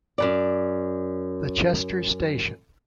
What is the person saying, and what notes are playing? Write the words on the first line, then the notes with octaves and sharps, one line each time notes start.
The Chester stn.
F#2 C#3 D5